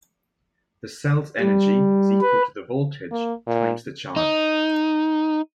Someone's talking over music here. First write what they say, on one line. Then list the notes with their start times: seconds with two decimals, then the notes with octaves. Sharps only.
The cell's energy is equal to the voltage times the charge.
1.41 G3
2.21 B4
3.11 A#3
3.47 A#2
4.16 D#4